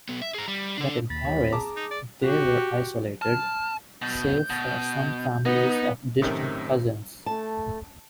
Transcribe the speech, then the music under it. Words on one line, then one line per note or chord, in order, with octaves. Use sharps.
But in Paris they were isolated, save for some families of distant cousins.
B1 B3
E5
G#4 A#5
G3
D4 A4
D#2 B5 A6
D#1 C#5
C4
G#4 A5 A#5 D6
D#4
D5
F#4 G4
A5 F6
B2 G6
B2
B3 D#4
F#2 A2 C3 D#3
A3 A5